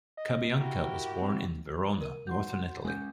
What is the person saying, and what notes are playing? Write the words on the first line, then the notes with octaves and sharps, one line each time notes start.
Cabianca was born in Verona, northern Italy.
D#5
E4 F#4 G4 A#4
C4
A#4 D#7
F#4 F#5 C6 G6
G#3 C4 C#4 G#5 G6